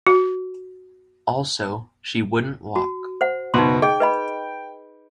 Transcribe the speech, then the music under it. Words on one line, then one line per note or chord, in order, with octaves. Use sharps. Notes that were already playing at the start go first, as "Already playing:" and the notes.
Also, she wouldn't walk.
F#4
F#4
C5 F#5
F#1 B2 B3 D#4 C6
G#4 D#5 G5
B4 D#5 B5